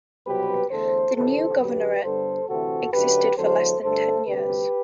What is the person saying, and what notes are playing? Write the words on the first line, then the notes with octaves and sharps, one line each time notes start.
The new governorate existed for less than ten years.
C2 B2 F#3 C4 G4 B4
E2 D3 A3 A4 C5
D2 C3 E3 B3 A4 C5
F#2 D3 F#3 G4 B4
G2 D3 G3 B3 A4 C5
D2 C3 E3 A3 C4 F#4 A4
F#2 D3 F#3 A3 G4 B4
E2 D3 F#3 A3 A4 C5
G2 D3 A3 A4 C5
D2 C3 G3 C4 G4 B4